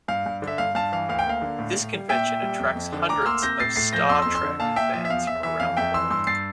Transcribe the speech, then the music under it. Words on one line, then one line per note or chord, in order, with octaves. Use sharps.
This convention attracts hundreds of "Star Trek" fans from around the world.
G2 F5
G2
D3
E5
G2 F5
G2 F5 A5
E3 F5
D2 F5
G5
A#3 F5
D3
A2
A2
G3
A#2 E5 G5
A#2
G3
F2
F2
D3
D2 A#5 D6
F6
A#3 C6 E6
C3 G6 A#6
A2 A6 C7
A2 A6 C7
F3 G6 A#6
F2 C6 E6
F2 C6 E6
C6 E6
D3
A#2 F5 A5
A#2 E5 G5
F3 E5
E5
E2 F5
E2 E5
E3 E5
F2 F5
F2 E5 G5
E3 C6 E6
G2 C6 E6
G2 A6 C7